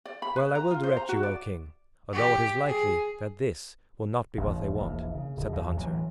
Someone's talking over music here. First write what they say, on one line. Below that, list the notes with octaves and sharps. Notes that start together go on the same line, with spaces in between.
"Well, I will direct you, O king, although it is likely that this will not be what they want," said the hunter.
D5
B5
B4
A#5
F4
C5
A#5
F#4
D5
G4
G#4
E1 A1 D#2 B2
E1 A#1
C#3
D1
E2
D1 A1 E3 F#3